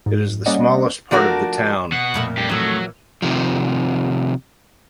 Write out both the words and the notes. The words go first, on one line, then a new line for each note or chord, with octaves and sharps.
It is the smallest part of the town.
G#2
G3 A#3 C#4 D5 D#5 F#5
F3 A3 D4 F#4 A#4
B2 F#5
F2 A#2 A3
G2 G4
F2 A#2 E3 F#3 A3
C3 D#3 F3